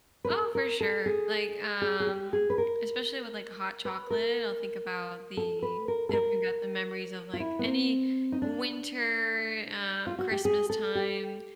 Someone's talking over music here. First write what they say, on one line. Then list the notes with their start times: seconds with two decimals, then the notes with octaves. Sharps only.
oh, for sure. Like, um, especially with, like, hot chocolate, I'll think about the it'll bring back the memories of, like, any winter, uh, Christmas time
0.25 B4
0.30 A#4
0.55 A#4
0.80 A4
1.06 G#4
1.82 G#4
2.00 G#4
2.07 G4
2.33 G#4
2.50 B4
2.58 A#4
3.85 B4
4.10 A#4
5.37 A4
5.62 B4
5.88 A#4
6.09 A4
6.13 A#4
7.33 F4
7.40 E4
7.59 B3
7.65 C4
8.32 D#4
8.42 D4
10.07 F4
10.19 F#4
10.31 G4
10.45 G#4
10.70 A4
10.95 G4